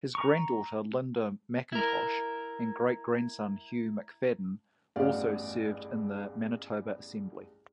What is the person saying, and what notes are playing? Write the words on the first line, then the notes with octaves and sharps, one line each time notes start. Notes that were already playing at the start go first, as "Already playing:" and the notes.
His granddaughter Linda McIntosh and great-grandson Hugh McFadyen also served in the Manitoba assembly.
A#5 C#6
E4 A#4
A1 E2 G2 F#4 D5 F5